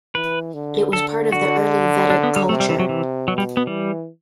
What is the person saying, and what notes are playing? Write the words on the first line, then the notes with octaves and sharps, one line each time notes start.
It was part of the Early Vedic culture.
E3 B4
D3
D3 A4
D3 F#4
D4
B3
G3
C3 A3
G3
E3
F#3
E3
B2 F#3
G3
B3
E3 G3